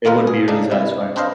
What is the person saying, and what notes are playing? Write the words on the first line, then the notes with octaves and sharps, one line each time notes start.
it would be really satisfying.
D#3 A#3 F4 A#4 B4
G#4
A2 C#3 D4 D#4
C3 E4
C4 D4 B4 C5 D#5 F5